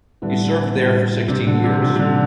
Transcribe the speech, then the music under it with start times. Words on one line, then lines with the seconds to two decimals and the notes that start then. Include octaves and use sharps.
He served there for sixteen years.
0.22 A2 D3 G3 B3 E4
0.75 A2 G3 B3 E4
1.28 A2 C3 E3 G3 D4
1.47 D3
1.64 C3
1.82 A2 C3 E3 G3 D4
1.96 C3
2.00 D3